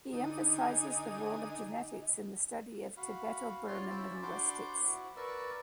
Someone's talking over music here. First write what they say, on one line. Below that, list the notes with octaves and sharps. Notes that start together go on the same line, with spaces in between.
He emphasizes the role of genetics in the study of Tibeto-Burman linguistics.
D3 D#4 D#5 G#5 D#6
F#4 F5 B5
F4 C#5 D5 C6
C#4 E4 C5 D5 E6
D4 F#4 C5 B5 C6 D6
E4 F#4
A#4 B4 D5 C#6 E6